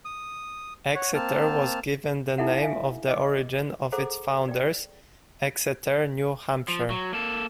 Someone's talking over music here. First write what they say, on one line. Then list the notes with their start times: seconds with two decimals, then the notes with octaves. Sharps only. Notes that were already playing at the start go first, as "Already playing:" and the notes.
Exeter was given the name of the origin of its founders, Exeter, New Hampshire.
0.05 D#6
0.95 C#5 F#5
1.14 A#3 C4 A5 F6
2.38 D#4 E4 A4 E5 F#5
2.62 E5 F5 G#5
3.08 D#5 D6
3.92 G#4 A4 C5 F#5 A#5 D6
4.48 D5 G5
6.68 F3
6.90 F#3
7.13 A#3 A4